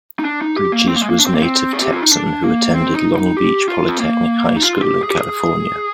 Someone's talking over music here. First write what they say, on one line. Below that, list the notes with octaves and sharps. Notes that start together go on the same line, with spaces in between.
Bridges was native Texan who attended Long Beach Polytechnic High School in California.
D#4
D4
D#4
G4
A#3
C4
A#3
G#3
A#3
D4
C4
A#3
C4
G#4
G4
F4
D#4
D4
A#3
C4
D#4
D#4
G4
F4
C4
A#3
D#4
F4
G4
G#4
G4
G#4